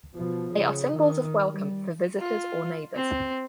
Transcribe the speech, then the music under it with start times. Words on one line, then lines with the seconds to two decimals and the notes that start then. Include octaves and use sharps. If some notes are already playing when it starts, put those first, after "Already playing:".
They are symbols of welcome for visitors or neighbors.
0.15 B2 F3
0.54 C#3
0.95 D#3
1.51 G3
2.19 F4
2.95 C4